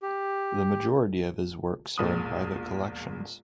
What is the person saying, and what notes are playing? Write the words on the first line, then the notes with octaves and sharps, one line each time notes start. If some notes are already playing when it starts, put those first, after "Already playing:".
The majority of his works are in private collections.
G4
E1 A#1 D#6